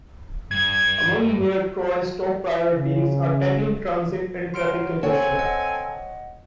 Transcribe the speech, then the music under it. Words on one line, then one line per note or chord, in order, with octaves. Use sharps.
Among Mayor Tory's top priorities are tackling transit and traffic congestion.
G2 G#6
C#3
F#3 C6 F6 D7
C4 A4 C#5 F#5 G#5
D#5 F#5